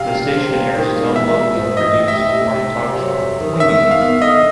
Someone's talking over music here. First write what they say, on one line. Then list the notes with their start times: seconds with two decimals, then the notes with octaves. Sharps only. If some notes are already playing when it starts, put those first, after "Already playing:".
The station airs its own locally produced morning talk show, Winging It!
Already playing: C3 F5
0.14 D4
0.34 C3
0.55 C4
0.75 D#3
0.96 G#3
1.16 E3 E5
1.36 G#3
1.56 G#2
1.77 E3 D#5
1.98 C3
2.08 E5
2.17 C3
2.38 C3
2.59 C3
2.79 C3
2.99 F#3
3.20 F2
3.40 D#3
3.60 B3 E5
3.81 D#3
3.91 F5
4.01 B3
4.21 D3 D#5